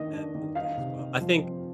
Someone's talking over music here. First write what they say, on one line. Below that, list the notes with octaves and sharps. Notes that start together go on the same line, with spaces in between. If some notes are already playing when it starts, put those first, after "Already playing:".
that movie, as well. I think
Already playing: D#3 A#3 D4 D#5
D4
D#3
D#4 F5
C3
D#4
F3
C4